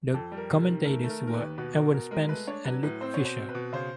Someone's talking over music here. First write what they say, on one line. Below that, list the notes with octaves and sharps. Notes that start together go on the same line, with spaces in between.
The commentators were Ewan Spence and Luke Fisher.
F2 A4
G3
A#4
C3
A#4
D#3
A3 A#4
A3
A#4
D#3
A#4
B4
D#2
B2 B4
B2 A#4
B2 A#4
G#3 A#4
A3 B4
D4 C#5
F#3 B4
A2 B4
C4 C5
C#5
B2
C5
C4
B4
B2
C#3 C5